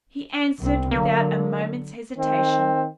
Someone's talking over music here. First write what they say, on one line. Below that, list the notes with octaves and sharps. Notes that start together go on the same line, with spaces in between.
He answered without a moment's hesitation.
C2 C4
D3 F#3 A#3
D#3 C4